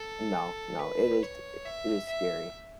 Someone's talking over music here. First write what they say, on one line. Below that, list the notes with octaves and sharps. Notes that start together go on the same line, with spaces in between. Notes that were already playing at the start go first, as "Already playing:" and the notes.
No, no, it is it is scary.
Already playing: A4
B4
C#5
E5
E5